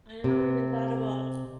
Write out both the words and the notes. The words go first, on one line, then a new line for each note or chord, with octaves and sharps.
I never even thought about
C3